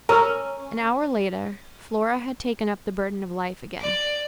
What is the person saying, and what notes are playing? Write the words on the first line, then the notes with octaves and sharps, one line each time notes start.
An hour later Flora had taken up the burden of Life again.
C#4 A#4 A#5 E6 F6
D5